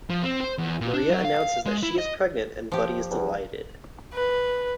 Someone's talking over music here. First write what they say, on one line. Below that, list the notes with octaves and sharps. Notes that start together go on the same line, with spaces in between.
Maria announces that she is pregnant and Buddy is delighted.
F3
C4
C5
E2
A#2
D4
F#3
F5
G#3
E4
D#5
F3 G4
E2
B4